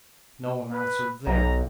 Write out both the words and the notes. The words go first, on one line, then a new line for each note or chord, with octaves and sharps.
No one answered there.
B4
B1 A#5